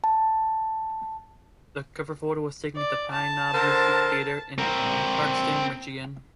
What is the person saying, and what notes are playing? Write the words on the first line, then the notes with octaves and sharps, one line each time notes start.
The cover photo was taken at the Pine Knob Music Theater in Clarkston, Michigan.
A5
D5
A5
D3 A#4 C5
C4 A#4